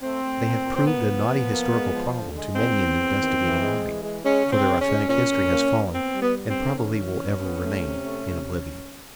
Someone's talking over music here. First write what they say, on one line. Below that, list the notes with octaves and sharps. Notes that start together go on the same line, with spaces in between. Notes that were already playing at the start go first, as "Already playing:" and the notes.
They have proved a knotty historical problem to many an investigating mind; for their authentic history has fallen, and probably will ever remain in oblivion.
A3 C4
A3
A#2
A#2
C4
C#3 B3
F3
F3
A#3
G#3
F3
D3
G#3
E2 C4
E2
E2
D#3
E3
G#3
E3
G#3
G#3 C#4
C#3
C4
C#3
C#4
G#3
A#2 C#4
A#2
A#3
A#3
B3 C4
G3
B3
B3
C4
D3
E3 C#4
E3
B3
B3
A3
C3
A3
C3